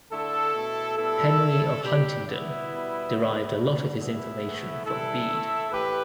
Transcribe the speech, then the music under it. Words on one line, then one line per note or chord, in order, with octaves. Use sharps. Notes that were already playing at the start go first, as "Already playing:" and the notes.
Henry of Huntingdon derived a lot of his information from Bede.
D3 A3 E4 A4
B2 A3
B2 G3 E4 A4
A2 A3
B2 G3 D4 G4
B2 G3 B3 E4
B2 G3
D3 A3
D3 G3
B2 G3 B3 E4
A2 E3 A3
A2 E3 G3 E4 A4
A2 A3
A2 E3 G4 B4